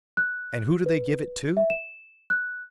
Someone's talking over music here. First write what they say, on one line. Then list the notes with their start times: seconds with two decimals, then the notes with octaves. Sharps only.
And who do they give it to?
0.17 F#6
0.86 B4
1.57 E5
1.70 E7
2.30 F#6